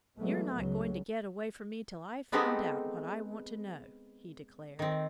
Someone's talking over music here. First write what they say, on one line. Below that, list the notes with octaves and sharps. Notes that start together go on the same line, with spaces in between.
"You're not going to get away from me till I've found out what I want to know," he declared.
E3 F#3 G#3 A3 B3
C#2 C#3 F#3 G#3
G#3 B3 C4 D#4 G4 A4
D#3 C4